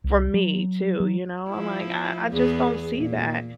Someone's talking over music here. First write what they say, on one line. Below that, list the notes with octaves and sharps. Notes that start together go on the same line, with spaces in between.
For me too, you know? I'm like, I I just don't see that,
C2
F#3
F#3
F3 E4
E2 B3 G#4
A#2